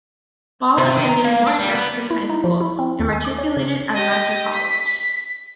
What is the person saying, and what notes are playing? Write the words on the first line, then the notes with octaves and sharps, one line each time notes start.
Ball attended Port Jefferson High School, and matriculated at Vassar College.
C3
D#3
A#5
A#3
D4
G3
B3
E4
D#4
F3
E4
C4
D#2
G#5
D6
C#5
C#3
G4 D#5
B6